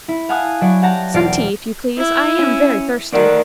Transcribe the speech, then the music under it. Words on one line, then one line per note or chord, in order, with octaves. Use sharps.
"Some tea, if you please, I am very thirsty."
E4
F5 F#5 G#5 A5 D#6 F#6
F#3 E4 C#5 D5
G4 F#5 A5 A#5 A#6
E1 D5 F6 C7 D7
E4
C#4
D2 D#3 D5 F#5